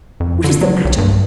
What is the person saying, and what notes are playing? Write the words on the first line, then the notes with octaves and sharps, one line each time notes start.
What is the matter?
F2
D3
F#3
B1
G2